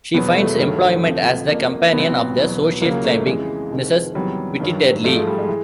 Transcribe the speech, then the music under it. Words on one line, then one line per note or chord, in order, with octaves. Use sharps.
She finds employment as the companion of the social-climbing Mrs Wittiterly.
E2 B2 F#3 B3
G#3
A3
G2 D#3 F#3
D2 C3 F3
F2 C#3 F3 A#3
C2 B2 F#3 B3
C4
B3
E2 B2 F#3
C#2 C#3 F#3 A#3
A3
F2 C#3 E3 G#3
C2 C3 D#3
E2 C3 D#3 F#3 G3
G2 D#3 F#3
G#2 F3 A3
G#3
G3
G#3
E3